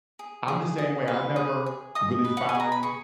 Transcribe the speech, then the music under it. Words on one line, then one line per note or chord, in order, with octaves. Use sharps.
I'm the same way, I never really found
G#4
G#4
D#5
B4
G#4
G#4
D#5 D#6
B4
F#5
G#5
G#4
A#5
B5
G#4 C#6